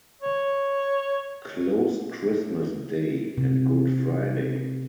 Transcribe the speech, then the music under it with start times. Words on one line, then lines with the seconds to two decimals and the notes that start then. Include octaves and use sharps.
Closed Christmas Day and Good Friday.
0.22 C#5
3.38 C3